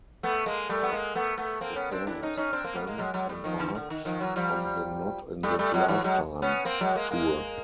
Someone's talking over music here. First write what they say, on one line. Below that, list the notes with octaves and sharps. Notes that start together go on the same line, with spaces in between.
The band then embarked on the Not in This Lifetime... Tour.
A3 B3
G#3 A#3
G3 A3
B3
G#3 A#3
A3 B3
A3 B3
A#3 C4
B3 C#4
C4 D4
D4 E4
C#4 D#4
C#4 D#4
C4 D4
A#3 C4
A3 B3
G#3 A#3
F#3 G#3
F#3 G#3
G3 A3
D#3 F3
D3 E3
D3
D#3
D#3 F3
E3 F#3
F3 G3
G3 A3
G3 A3
F#3 G#3
E3 F#3
F#3 G#3
B3 C#4
A#3 C4
F#3 G#3
G#3 A#3
G#3 A#3